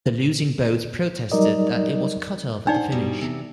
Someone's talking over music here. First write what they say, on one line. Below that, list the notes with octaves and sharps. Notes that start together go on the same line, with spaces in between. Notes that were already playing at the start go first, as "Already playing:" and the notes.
The losing boat protested that it was cut off at the finish.
F#3 G3 D#4 A#4 D5 D#5
D4 D#4 C5 D5 F#5
G#2 B2 G3
E2 C3 A4